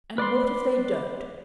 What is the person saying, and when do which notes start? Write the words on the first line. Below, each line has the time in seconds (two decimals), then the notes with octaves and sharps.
"And what if they don't?"
0.18 B4 D5 B5 C6